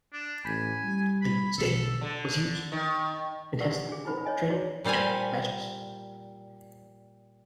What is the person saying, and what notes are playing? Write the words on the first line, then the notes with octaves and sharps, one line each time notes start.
The stadium was used intensely for training and matches.
D4
A1 G#5 B5 G6 B6
G3
B5
A#1 B2 D3 A4
D3
D#3
G4 A#4 D5 F#5
D4 G#4
D#4 E4 C5 B5
C#5 D#5 G#5
D#4 E4 F#4 G#4 C#5 D5
A#2 G3 C5 F5 G#5